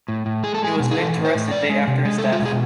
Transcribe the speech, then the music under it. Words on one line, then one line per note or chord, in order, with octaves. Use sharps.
He was laid to rest a day after his death.
A2
A2
G#3 G#4
A4
G#3 G#4
B2
G#4
E3 A4
A2
C5
A2
G#3 D5
G#3
C3
G#3
A4
G#3
F4
B2 G#4